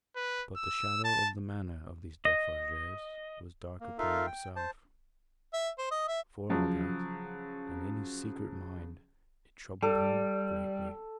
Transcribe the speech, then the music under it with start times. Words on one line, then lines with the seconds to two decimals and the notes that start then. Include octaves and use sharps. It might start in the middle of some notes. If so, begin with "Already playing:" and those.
But the shadow of the manner of these Defarges was dark upon himself, for all that, and in his secret mind it troubled him greatly.
0.16 B4
0.56 E6
1.04 A5
2.25 D#5
3.80 A#3
3.99 D#4 F4 A4 A#4 E5 F5
4.26 G5
4.56 C5 A5
5.53 E5
5.78 C5
5.91 D#5
6.08 E5
6.49 C#3 F3 F#3
9.83 G3 A4